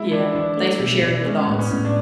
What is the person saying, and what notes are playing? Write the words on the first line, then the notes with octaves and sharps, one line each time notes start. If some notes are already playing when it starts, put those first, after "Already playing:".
Yeah, thanks for sharing your thoughts.
Already playing: G#3 E4
E3 D4
E3 D4
A3
B2
B2
G#3 C#4
A2 B3
C#4
A2
D4